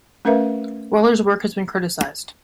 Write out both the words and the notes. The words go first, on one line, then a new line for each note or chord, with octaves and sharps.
Wehler's work has been criticized.
A3 C#4 A#4 B4 E5 F5